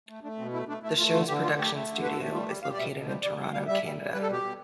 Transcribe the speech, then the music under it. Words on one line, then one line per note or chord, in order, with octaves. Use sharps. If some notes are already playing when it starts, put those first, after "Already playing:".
The show's production studio is located in Toronto, Canada.
A3
A3 D4
B2 C4
A3 E4
A3 D4
A3 E4
A3 F4
D3 F4
D3 G4
A3 F4
A3 G4
A3
D3
A3 B4
A4
A3 G4
G3 F4
G3 G4
G3 F5
D5
B2 E5
B2
G3 C5
G3 D5
G3
G3 F5
G3 E5
G3
G3
G3 B4
A4
B2 G4
B2